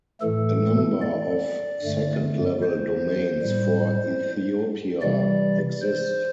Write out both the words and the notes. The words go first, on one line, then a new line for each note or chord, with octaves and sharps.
A number of second-level domains for Ethiopia exist.
A2 E3 A3 A4
D5
G2 D3 A3
C5
A2 G3
C3 E3 G3 D5
C5